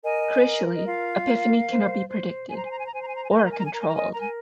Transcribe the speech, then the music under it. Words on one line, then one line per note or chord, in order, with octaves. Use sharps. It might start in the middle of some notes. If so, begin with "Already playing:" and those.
Crucially, epiphany cannot be predicted, or controlled.
A#4 D#5 G#5
A#4
D#5
F4 F5
A#4
C5
C5
C5 G#5
A#5
G#5
A#5
G#5
A#5
C5 G#5
A#5
G#5
A#5
G#5
A#4 A#5
G#5
A#5
G#5
A#5
G#5
A#4 A#5
G#5
A#5
D#5 G#5
A#4 A#5
G#5